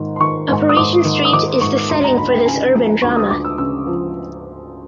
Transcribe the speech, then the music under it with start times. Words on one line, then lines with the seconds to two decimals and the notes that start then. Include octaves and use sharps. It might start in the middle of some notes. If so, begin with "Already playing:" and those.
A Parisian street is the setting for this urban drama.
Already playing: G#2 D#3
0.16 C6
0.20 D#3 C#6
0.49 G#2
0.69 D#6
0.76 G#2 D6
1.05 D#3
1.25 D#6
1.33 D#3 D6
1.61 G#2 C#6
1.90 D2 C6
2.04 A#5
2.18 D2 B5
2.32 G5
2.46 C#3 G#5
2.74 F3
3.02 D2 C#6
3.16 D#6
3.30 D2 D6
3.45 E6
3.58 C#3 E6
3.87 F3